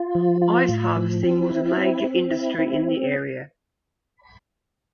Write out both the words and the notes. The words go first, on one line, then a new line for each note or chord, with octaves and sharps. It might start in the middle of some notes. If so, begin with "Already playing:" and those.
Ice harvesting was a major industry in the area.
Already playing: F4
F3
F4
A2
F3
C4
E4
C4
C4
E4
C4